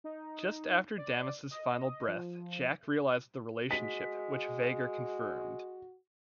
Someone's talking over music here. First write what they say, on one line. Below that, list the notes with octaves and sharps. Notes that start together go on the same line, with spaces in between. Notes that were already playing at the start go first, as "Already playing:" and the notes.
Just after Damas' final breath, Jak realized the relationship, which Veger confirmed.
D#4
D5
D#5
F3
G#3 F#4 B6